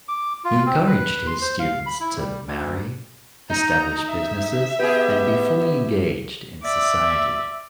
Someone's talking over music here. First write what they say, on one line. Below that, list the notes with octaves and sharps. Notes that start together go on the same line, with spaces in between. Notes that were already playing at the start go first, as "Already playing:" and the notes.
He encouraged his students to marry, establish businesses, and be fully engaged in society.
D6
F4
C4
B4
C6
C5
F5
B5
E4
G3
D2
D#4 A#5
E5
B3 G4 G#4
D5 E5